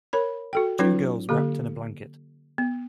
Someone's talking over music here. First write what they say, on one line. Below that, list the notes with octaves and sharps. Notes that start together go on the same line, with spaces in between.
Two girls wrapped in a blanket.
A#4 C#5 B5
F#4 A4 G5
F#3 C#4 D#4 F4 B4
D3 A#3 G4
B3